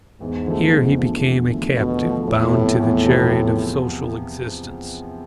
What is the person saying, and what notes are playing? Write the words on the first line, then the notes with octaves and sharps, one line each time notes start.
Here he became a captive, bound to the chariot of social existence.
E2 G#2
D3 F3 A3
E2
D3 F3 A3
E2
D3 F3 A3
E2 B2
D3 F3 A3
E2 A2
C3 F3 B3
E2 A2
C3 F3 B3
E2